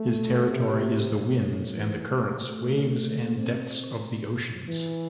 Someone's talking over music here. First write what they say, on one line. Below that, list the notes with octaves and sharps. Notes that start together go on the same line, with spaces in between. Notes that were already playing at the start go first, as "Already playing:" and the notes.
His territory is the winds and the currents, waves and depths of the oceans.
Already playing: A3
C3
A2
E3
G#3
A3
C4
E3